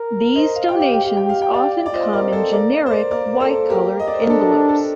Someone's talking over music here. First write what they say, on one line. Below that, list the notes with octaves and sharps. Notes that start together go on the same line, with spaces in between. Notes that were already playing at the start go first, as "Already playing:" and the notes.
These donations often come in generic, white-colored envelopes.
Already playing: A#4
C5 D#5
F5
G5
G4
F5
G5
G4 F5
G5
F5
G5
D5 F5
D5
F4 C5 D#5
A#4 D5
C4
A4 C5
A#3 A#4 D5
C5
A#4 D5
A#3 A#4 D5
A4 C5
G4 A#4
D#5
D5
C5
A#4
D4 A4
G4
A4